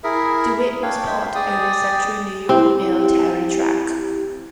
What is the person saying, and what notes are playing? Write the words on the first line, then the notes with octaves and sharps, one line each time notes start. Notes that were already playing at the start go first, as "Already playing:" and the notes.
DeWitt was part of the Central New York Military Tract.
E4 G#4 A#4 E5
D4 C#5 F5 G5
G#3 C5 E5 G5
G#4 D5 G5 D#6
C4 E4 G4